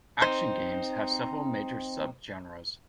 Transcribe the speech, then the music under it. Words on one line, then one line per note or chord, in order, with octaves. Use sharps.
Action games have several major subgenres.
C4 D#4 C5